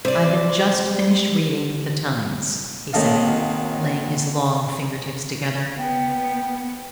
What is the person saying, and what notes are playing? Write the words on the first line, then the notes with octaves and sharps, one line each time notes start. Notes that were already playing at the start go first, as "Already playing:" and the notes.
"I had just finished reading the Times," he said, laying his long finger-tips together.
C3 C5 D5
G#1 A#3 C#4 D#5 F5 A5
B3 G5